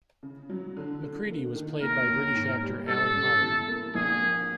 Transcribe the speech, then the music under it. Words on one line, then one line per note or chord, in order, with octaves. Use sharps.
McCready was played by British actor Alan Howard.
C#3
F#3
D3
D3
A#3
D#3
D#2 A#4
D#2
G#2
G3
G3 A4
C#3
E2
A#3
A#1 G#4
A#3